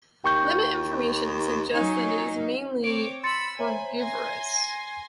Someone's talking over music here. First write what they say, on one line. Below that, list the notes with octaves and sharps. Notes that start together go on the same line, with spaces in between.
Limit information suggests that it is mainly frugivorous.
D#2 G5 C#6 G6
F#3 C#4 D#4
C4 C#5 D6 D7
B5 C6 E6 A6 C#7
C5 C#5 E5 G#5 A#5 B5
G#5 C6 A#6